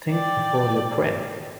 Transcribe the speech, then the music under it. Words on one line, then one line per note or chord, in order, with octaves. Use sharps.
Think before you print.
D5 G5